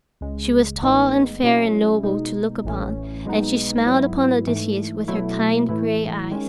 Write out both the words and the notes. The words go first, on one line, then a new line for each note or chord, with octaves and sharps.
She was tall and fair and noble to look upon, and she smiled upon Odysseus with her kind gray eyes.
C#2 C#3 G#3
A1 A2 G#3 B3 D#4
B2 F#3 C#4 E4
B2 G#3 D#4
A1 A2 E3 A3 C#4
B1 B2 G#3 B3 D#4
G#2 F#3 B3 E4
G#2 E3 A3
B2 F#3 A3 E4
A2 E3 A3 E4
D#3 G#3 C#4